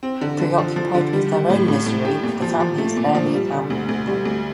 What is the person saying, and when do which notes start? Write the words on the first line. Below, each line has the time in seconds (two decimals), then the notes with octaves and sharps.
Preoccupied with their own misery, the family is barely a family anymore.
0.03 C4
0.21 D3
0.40 D3
0.58 F3
0.76 F3
0.95 D3
1.13 G3
1.31 G3
1.50 A2
1.68 A2
1.86 A2
2.05 G4
2.23 A#2
2.42 F3
2.60 F3
2.78 A3
2.96 A#2
3.15 F3
3.34 G3
3.52 D3
3.70 D2
3.89 D2
4.07 G3
4.25 D2